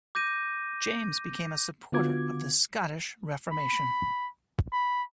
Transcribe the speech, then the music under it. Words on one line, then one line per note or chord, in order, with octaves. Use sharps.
James became a supporter of the Scottish Reformation.
D6 G6 A#6 D#7
D3 B3 F4 F#4 D6 G#6
B5
B5